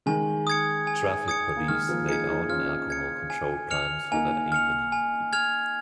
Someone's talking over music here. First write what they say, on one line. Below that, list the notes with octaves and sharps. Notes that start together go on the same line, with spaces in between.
Traffic police laid out an alcohol control plan for that evening.
D#3 G#3 G#5
D#6 G#6 C#7
G#5
D#6 G#6 C#7
A#3
D#3 G#3 F6
F3 A#3
D#4 G#4 G#6 C#7
D#4 G#4
C#4 F4 F6
G#6 C#7
G#5
F6 C#7 F7
A#3 D#4 G#5
F6 C#7 F7
G#5
F6 G#6 F7